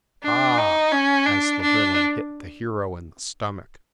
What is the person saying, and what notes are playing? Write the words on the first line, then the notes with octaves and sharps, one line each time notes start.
"Ahhhhh," as the villain hit the hero in the stomach....
D4
D#4
C#4
D4
D4